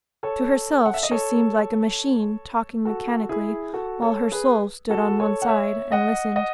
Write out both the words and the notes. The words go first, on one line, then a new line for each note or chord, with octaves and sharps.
To herself she seemed like a machine, talking mechanically, while her soul stood on one side and listened.
A4 C#5
F#5
E5
D#5
A4 C#5
F#4 A4
E4 G#4
F#4 A4
A4 C#5
G#4 B4
F#4 A4
A4 C#5
F#5
C#5 E5
D#5 F#5
D#5 F#5